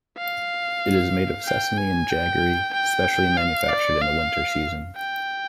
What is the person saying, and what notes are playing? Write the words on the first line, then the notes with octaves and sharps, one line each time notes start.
It is made of sesame and jaggery specially manufactured in the winter season.
F5
G5
G#5
G5
G5
F5
D5
F5
G5